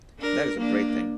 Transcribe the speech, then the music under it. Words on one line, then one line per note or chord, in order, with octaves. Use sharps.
That is a great thing.
D4 A#4
A#3 D4